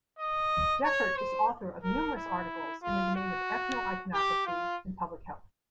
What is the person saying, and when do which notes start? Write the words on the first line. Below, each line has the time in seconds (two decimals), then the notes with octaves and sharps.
Defert is author of numerous articles in the domain of ethno-iconography and public health.
0.19 D#5
0.84 C#5
1.17 C5
1.83 A#4
2.16 E4
2.82 F4
3.15 F#4
4.14 G4
4.46 F4